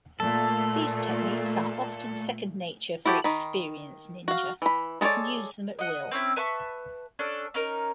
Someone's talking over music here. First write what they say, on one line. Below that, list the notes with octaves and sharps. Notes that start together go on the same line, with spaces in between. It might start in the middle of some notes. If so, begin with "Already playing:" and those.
These techniques are often second-nature for experienced ninja, who can use them at will.
A#2 A3 A4
E4 F#4 G4 A4
D#3 B5
F#4 F5
E3 B5
G#3 B3 A4 C#5 D5
D#5 F#5
C4 C#4 D#4 E4
B4 E5 A5 C#6
C#4 D4 A4
C#4 D#4 A#4